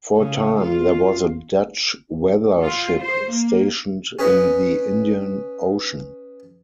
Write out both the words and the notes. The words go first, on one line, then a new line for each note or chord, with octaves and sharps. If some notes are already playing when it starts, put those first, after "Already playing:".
For a time, there was a Dutch weather ship stationed in the Indian Ocean.
C#3
F4
F4
C5
A#3
C#4 G#4 B4 D#5